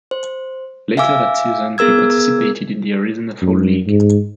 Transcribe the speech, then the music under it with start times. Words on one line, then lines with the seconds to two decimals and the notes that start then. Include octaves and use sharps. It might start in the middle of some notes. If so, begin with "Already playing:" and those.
Later that season he participated in the Arizona Fall League.
0.11 C5
0.97 E5 F5 G#5 D6 E6
1.78 B3 G#4 A#4 E6 G#6
3.42 F#2
3.87 G#2